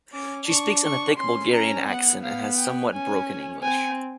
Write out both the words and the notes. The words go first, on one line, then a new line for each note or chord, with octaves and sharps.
She speaks in a thick Bulgarian accent and has somewhat broken English.
C#4 D6
D4 C#6
C#6
C#4 C6
C#4 A#5
B3 F#5
B3 F5
G5
C#4 G#5
C4 G#5